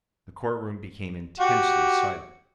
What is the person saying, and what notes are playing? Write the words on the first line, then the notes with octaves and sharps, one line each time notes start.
The courtroom became intensely silent.
F#4 G4